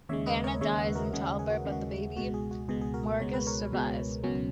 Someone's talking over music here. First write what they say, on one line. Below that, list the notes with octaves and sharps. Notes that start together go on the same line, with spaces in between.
Ana dies in childbirth, but the baby, Morgause, survives.
D#2 C#3 G#3 C#5 E5
B4 D#5
A#4 C#5
D#2 C#3 G#3 C#5 E5
D#5 F#5
F#4 A#4
D#2 C#3 G#3 G#4
G#4
F#4
D#2 C#3 G#3
F#4
C#2 B2 G#3 F#4
G#4
F#4
C#2 B2 G#3 G#4
G#4
F#4 A#4
C#2 B2 G#3 C#5
B4
A#4 C#5
C#2 B2 G#3
C#2 B2 F#3 C#4